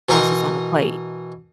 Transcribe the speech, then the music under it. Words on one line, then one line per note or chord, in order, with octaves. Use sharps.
once it's on the plate.
B2 E3 D#4 A#4 A#5 C6